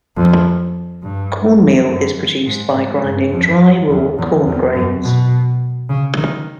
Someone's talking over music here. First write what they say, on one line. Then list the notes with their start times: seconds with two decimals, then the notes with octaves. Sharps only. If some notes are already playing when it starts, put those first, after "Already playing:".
Cornmeal is produced by grinding dry raw corn grains.
0.17 F2
1.03 G2
1.88 F#2
2.46 G#2
2.75 G#2
3.03 G2
3.32 F2
3.89 E2
4.18 E2
4.47 E2
4.75 F#2
5.03 B2
5.89 C#3
6.17 D#3